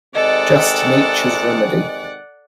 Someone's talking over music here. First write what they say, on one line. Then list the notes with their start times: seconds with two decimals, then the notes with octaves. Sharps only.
Just Nature's remedy.
0.15 C3 D#3 G#3 A4 D5 D#5 F#5